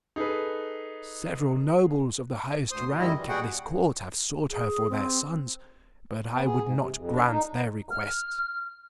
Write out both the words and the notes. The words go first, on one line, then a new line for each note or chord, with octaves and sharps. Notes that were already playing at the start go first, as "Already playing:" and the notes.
Several nobles of the highest rank at this court have sought her for their sons, but I would not grant their request.
D#4 G#4 A4 B4
D2 C5 C6 D#6
B2
F#2 D#3 G3 G#3 E4 D#5
E3 G3
B2 G3 F#4 G#4 F#5 G5
G#4
C4
B3
G#4
G#2
C3
F2
D4
D#4
F6